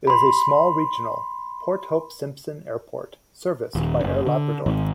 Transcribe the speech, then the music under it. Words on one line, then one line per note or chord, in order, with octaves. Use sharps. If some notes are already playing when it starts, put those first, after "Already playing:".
It has a small regional Port Hope Simpson Airport serviced by Air Labrador.
B5 C6
D#1
F#1
D3
G#1